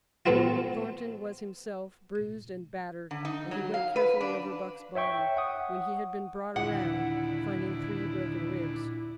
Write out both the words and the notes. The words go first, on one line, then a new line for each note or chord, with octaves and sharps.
Thornton was himself bruised and battered, and he went carefully over Buck's body, when he had been brought around, finding three broken ribs.
F3 A3 B3 C4 E4 F4
D3
D#4
F#3
F5
B4
D4
C#5 E5 G5 C#6
F#5 D#6
D#2 A#2 D3 D4 E4 F#5